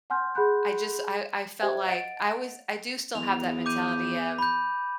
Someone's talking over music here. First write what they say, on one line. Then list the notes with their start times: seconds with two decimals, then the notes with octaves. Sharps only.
I just I I felt like I was I do still have that mentality of
0.10 F#5 G#5 C6 F6 G6
0.35 G#4 F#5 B5 C6 F#6 G6
1.60 G4 C5 E5 G5 G#6
1.86 D#5 F5 F#5 A6 D7
3.15 E2 F7
3.66 D6 G6 D#7
3.89 G6
4.39 B5 G6